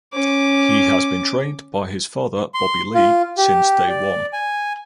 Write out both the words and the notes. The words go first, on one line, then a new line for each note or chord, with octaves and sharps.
He has been trained by his father Bobby Lee "since day one".
C#4 D6
C6
F4
G4
D5
G#5